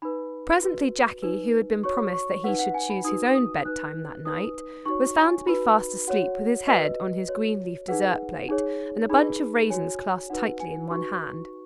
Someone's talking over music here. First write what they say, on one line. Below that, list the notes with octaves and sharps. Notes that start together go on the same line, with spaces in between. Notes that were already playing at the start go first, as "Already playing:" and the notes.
Presently, Jackie, who had been promised that he should choose his own bedtime that night, was found to be fast asleep with his head on his green-leaf dessert plate, and a bunch of raisins clasped tightly in one hand.
D#4 B4 B5
F#4 B4
D#4 B4
F#4 C#5 C#6
C#6
D#4 B4 F#5
F#5
G#5
B5
D#4 F#4 B4 D#6
D#6
D#4 B4 F#6
D#4 B4 D#6
D#4 F#4 C#5 C#6
G#5
D#4 F#4 B4 B5
F#4 C#5 F#5
F#4 B4 D#5
F#4 C#5
D#4 G#4 B4 F#5
D#4 G#4 C#5
D#4 G#4 B4 B5
F#4 C#5 G#5
D#4 F#4 B4 F#5
G#5
D#4 F#4 B4 C#6